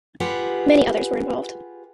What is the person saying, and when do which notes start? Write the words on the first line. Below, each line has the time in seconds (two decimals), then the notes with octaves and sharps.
Many others were involved.
0.20 F4 G4 G#4 B4 F#5